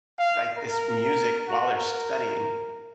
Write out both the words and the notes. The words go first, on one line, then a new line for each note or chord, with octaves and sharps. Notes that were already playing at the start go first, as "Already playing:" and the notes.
like, this music while they're studying.
F5
A#4
F#4
A#4